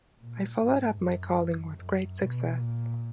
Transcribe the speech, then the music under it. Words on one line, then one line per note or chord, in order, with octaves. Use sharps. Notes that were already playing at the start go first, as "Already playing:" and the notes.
I followed up my calling with great success.
A#2
G#2
F#2
F#2
B2
A#2